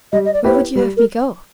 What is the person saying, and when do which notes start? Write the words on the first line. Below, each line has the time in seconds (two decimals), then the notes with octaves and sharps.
"Where would you have me go?"
0.12 G3 D#5
0.25 D#5
0.34 D5
0.44 B3 E4 G4 C5
0.55 C#5
0.76 G3 B4
0.97 A#4